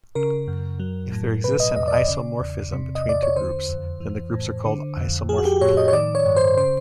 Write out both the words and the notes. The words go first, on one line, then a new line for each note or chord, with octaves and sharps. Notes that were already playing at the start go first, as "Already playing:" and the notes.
If there exists an isomorphism between two groups, then the groups are called isomorphic.
C#3 A#4
F#2
F#3
A2
B2 B4
D#5
E2 D#5
D5
D#5
C#3 D5
E2
C3
D#5
E2 D5
C#5
D3 C5
F2
E3
A2
D3
F2
F3 G#4
F#4
G4
A2 C#5
D#5
C#5
D#3 D5
C#5
G2
C5
C#3 C5